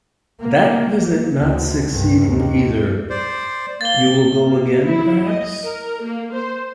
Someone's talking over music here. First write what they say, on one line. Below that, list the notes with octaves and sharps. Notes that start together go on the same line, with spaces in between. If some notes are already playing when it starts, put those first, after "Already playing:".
That visit not succeeding either, you will go again perhaps?
A#3
D2 D3
C2 G2
D#2
C5 D5
A#3 A6 G7
A#3
E4
D#5
A#4
A#3
C5